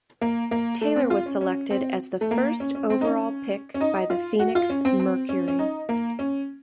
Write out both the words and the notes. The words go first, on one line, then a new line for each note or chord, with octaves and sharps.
Taylor was selected as the first overall pick by the Phoenix Mercury.
A#3
A#3
A3
C4
F4
C#4
C#4
C4
A3
A#3
C#4
C#4
C4
D#4
C#4
C#4
D#4
F4
F#4
F4
C#4
C4
C4
C#4
C#4
D#4
A#3
C#4